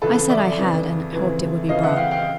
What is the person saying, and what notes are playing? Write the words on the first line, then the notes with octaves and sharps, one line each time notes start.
I said I had, and hoped it would be brought.
F2 C#3 E3 A4 B4
D5 E5
F2 C#3 E3
F2 C#3 E3
F2 C#3 E3 D#5 F5
E5 F#5
F5 G5
F5 G5